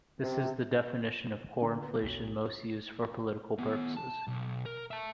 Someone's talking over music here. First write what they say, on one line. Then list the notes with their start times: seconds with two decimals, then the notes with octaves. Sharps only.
This is the definition of "core inflation" most used for political purposes.
0.18 C3
1.62 D3
1.82 B3
2.03 B1
3.59 D#3 B3
3.97 A5
4.28 B1
4.66 A#4
4.91 E5 A5